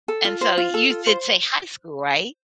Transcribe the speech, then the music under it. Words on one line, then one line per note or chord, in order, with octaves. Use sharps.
And so you did say high school, right?
A4
F4
C5
F4
A4
F4
C5